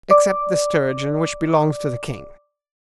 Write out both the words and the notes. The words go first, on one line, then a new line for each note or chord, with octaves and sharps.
"Except the sturgeon, which belongs to the king."
D5 D6